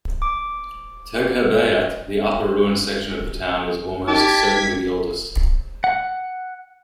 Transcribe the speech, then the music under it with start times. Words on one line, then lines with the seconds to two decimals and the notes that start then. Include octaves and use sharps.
Tegherbeyat, the upper ruined section of the town, is almost certainly the oldest.
0.22 D6
4.08 D#4 G4 A5 D6 G#6 B6
5.84 F#5